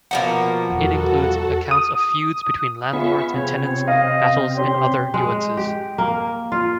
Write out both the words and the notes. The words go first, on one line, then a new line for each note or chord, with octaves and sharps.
It includes accounts of feuds between landlords and tenants, battles and other nuances.
B2 F3 A#3 F#5
E2 G3 F#4 A4
D#6
B3 F4 G#4 E5 C#6
C3 C4 C#5
D#5 F5
C#4 G4 C6
G#3
G4
A#3
F4